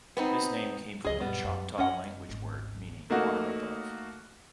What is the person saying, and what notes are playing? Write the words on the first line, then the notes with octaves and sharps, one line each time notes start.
This name came from the Choctaw language word meaning water above.
B3 C4 D#4
C#2 G#4 D#5
A#1 F#2 G3 B3
F#2
F#2 C#4 D#5 F#5
G#1 D2
A3 A#3 D#4 F#4